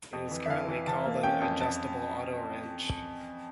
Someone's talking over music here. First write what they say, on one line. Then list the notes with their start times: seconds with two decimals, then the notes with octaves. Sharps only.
It is currently called an "Adjustable Auto Wrench".
0.13 F2
0.31 E3
0.46 E5
0.50 E3 F5
0.68 E3
0.87 E3 A5
1.05 A#3
1.23 C#4 G5
1.42 F2
1.60 A5